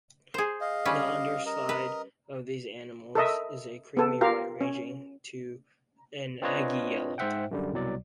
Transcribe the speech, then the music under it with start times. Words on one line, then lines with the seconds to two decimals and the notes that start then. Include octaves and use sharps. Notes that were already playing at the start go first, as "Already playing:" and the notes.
The underside of these animals is a creamy white ranging to an eggy yellow.
0.34 G#4 C5
0.61 D#5 F5
0.85 G3 C#4 B4
1.46 A#4 D#5
1.69 B4
3.15 A4 A#4 D#5 E5
3.97 B3 A4
4.21 F4 G4 A#4 F5
4.61 C#4
6.42 C4 D4 F4 B4 C#5 D#5
7.18 G#2 C5 E5 F#5 G5
7.51 F#2 D3 G3
7.73 C2 B2 F#3 D5